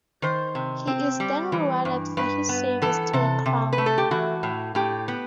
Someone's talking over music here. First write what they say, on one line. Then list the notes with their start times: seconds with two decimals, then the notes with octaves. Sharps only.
He is then rewarded for his service to the crown.
0.22 D#3 C5
0.55 C3
0.87 C4
1.20 G3
1.52 E3
1.85 G2
2.17 G2 B4
2.49 B3
2.82 E3 A4
3.13 C3 A4
3.46 C3
3.73 B4
3.78 A3
3.86 A4
3.98 G4
4.11 E3 F#4
4.43 A2
4.75 A2 G4
5.08 B3